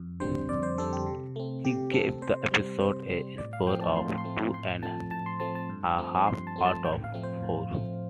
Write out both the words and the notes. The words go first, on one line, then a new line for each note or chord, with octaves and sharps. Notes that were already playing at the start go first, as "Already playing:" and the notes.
He gave the episode a score of two and a half out of four.
Already playing: F2
D3 G3 C4 C5
F2 D5
C5
D3 G3 C4 A4
G4
C3
A3 C4
C3 G4
A3 C4 A4
C3 C5
G3 C4
C3 C5
G3 C4
A2 D5
F5
F3 A3 C4 G5
A5
A2 C6
C6
F3 A3 C4
A2 C6
F3 A3 C4 A5
A2 A5
C6
F3 A3 C4 A5
A5
G2
F3 A3 C4
G2 C6
A5
F3 A3 C4
A5
A2 G5
F5
F3 A3 C4
C5
A2
F3 A3 C4